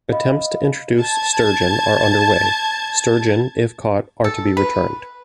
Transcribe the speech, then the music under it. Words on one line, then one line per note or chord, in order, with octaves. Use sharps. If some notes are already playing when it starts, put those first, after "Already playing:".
Attempts to introduce sturgeon are under way; sturgeon, if caught, are to be returned.
D#5 F5 B5
A5 G#6
A4
B4